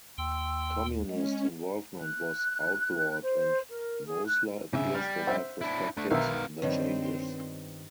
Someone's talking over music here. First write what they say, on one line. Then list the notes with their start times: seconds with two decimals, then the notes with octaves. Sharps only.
Communist involvement was outlawed and Mosler appears to have respected the changes.
0.18 D#2 G5 C6 E6
1.10 G#3 C#4
2.01 F#6
3.22 C5
3.70 A#4
4.06 G#4
4.28 F#6
4.73 G#2 C#3 E5
4.95 G3 F6
5.27 C5 E5 F#5
5.61 D4 E4
5.97 A3 D4
6.11 B1 D#3 B3 E5 F5
6.62 G2 D#3 F3 B3 C4 B4 C#5 D#5